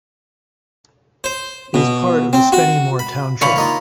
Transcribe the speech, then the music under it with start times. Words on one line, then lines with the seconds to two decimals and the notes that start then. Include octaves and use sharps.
It is part of the Spennymoor township.
1.24 C5
1.74 B2
2.33 C4
2.52 F#4
2.99 B5
3.41 D3 E3 C#5 F5 B5
3.56 A#3 D#4 F4